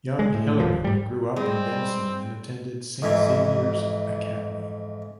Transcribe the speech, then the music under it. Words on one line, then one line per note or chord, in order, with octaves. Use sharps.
Young Hillerman grew up in Denison and attended Saint Xavier's Academy.
G#3
A2
D#1 D#2 F3
G#2 G3
G3 G#3 C4
F2 G#2 E3